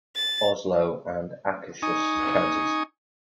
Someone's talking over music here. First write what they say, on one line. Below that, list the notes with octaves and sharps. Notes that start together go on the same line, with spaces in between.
Oslo and Akershus counties.
A6
D#4 G#5 C#6 D#6